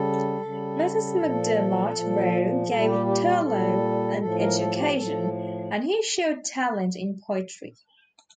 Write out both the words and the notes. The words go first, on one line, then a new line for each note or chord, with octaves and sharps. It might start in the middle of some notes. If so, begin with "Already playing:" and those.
Mrs. MacDermott Roe gave Turlough an education, and he showed talent in poetry.
Already playing: C#3 G3 A4
C#3 G3
A#2 F3
A#2 F3
A#2 G3 A4
G4
G4
G4
A#2 G3 A4
A2 F3 A4
A#4
A4
G4
A2 F3 A4